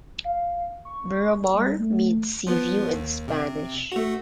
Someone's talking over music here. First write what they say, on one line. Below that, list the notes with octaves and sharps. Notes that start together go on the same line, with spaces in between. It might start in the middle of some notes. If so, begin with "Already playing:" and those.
'Miramar' means "sea view" in Spanish.
F5
C#6
G3
A3
F3 B3
D#2
C3
A3 F#4